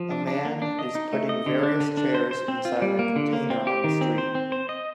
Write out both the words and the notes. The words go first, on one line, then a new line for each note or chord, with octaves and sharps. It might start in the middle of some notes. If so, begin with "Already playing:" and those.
A man is putting various chairs inside a container on the street.
Already playing: F3
D4
D4
A#3
D4
D#5
D#4
A3
D#5
D3
D4
D3
D4
C5
C5
C4
F4
G3
A#3
D3
A#3
C4
G4
D#3
C4
C5
C4
C5
D#5